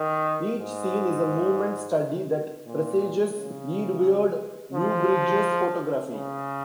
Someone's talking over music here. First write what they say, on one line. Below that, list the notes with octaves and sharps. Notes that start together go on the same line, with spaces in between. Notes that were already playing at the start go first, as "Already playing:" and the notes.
Each scene is a movement study that presages Eadweard Muybridge's photography.
Already playing: D#3
G#2
A#2
C#3
F3
C#3